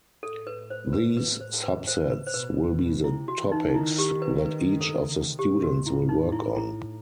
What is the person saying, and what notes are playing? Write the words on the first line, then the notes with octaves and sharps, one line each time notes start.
These subsets will be the topics that each of the students will work on.
A2 A4
B4
C5
B4
B4
C5
B4
C5
B4
C5
B2 B4
B2
C3 E4
F#4
E3
D#4
D#4
D#3 E4
G4
B4
B4
A4
C3
G4
B2
F#4
A2 E4
D#4
E4
E4